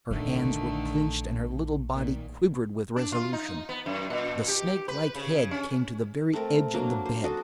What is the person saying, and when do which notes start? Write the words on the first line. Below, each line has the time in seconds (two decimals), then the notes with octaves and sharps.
Her hands were clenched and her little body quivered with resolution; the snake-like head came to the very edge of the bed.
0.10 A#1 D3 D#3 A3
1.93 A#2 D#3 A#3
2.96 D4
3.12 F4
3.33 D#4
3.69 B3
3.86 F#2
4.10 A#2
4.48 G4
4.88 B4
5.15 C#3
5.51 C#4
6.33 A3 C4 A4 A#4
6.74 F#3 A#3 D4
7.05 C5
7.24 F#4 A4 D#5